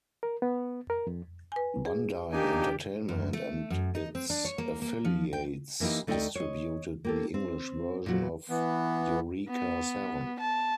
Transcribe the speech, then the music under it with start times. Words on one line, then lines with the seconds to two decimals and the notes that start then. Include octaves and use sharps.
Bandai Entertainment and its affiliates distributed the English version of "Eureka Seven".
0.23 A#4
0.42 B3
0.90 A#4
1.07 F2
1.52 B4 G#5
1.86 G#4
2.32 A#3 D4 D#4 G4 G#5
3.09 F#2
3.33 A3
3.70 F#2
3.95 D#4
4.15 C4
4.30 D4
4.45 C#5
4.58 A#3
4.82 A#3
5.05 F3
5.33 G5
5.80 E3 A#3 D#4 E4 G4
6.07 D2 A3 D#4 E4 D5 G5
6.35 C#5 D#5
7.05 A#3 G4 A4
7.34 C4
8.06 A#2 F#3
8.49 E3 B3
9.49 B3
10.40 A5